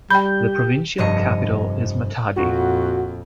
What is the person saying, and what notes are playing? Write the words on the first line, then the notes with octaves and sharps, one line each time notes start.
The provincial capital is Matadi.
G3 G4 G5 B5 G6
F1 G2 D#5 C#7
A#1 F2 F#4